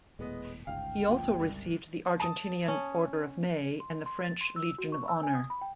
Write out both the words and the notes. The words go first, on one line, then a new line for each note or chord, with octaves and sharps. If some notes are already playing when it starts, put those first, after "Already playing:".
He also received the Argentinian Order of May and the French Legion of Honour.
D#1 A2 G#3 B3 D#5
G1 C#2 G#2 F5 G5
A#2 F3
C2
A5 D#6
C#4
C6
C6
A6
C6
E6
F#4
C#6
E6
G#5
D#6
B5
G5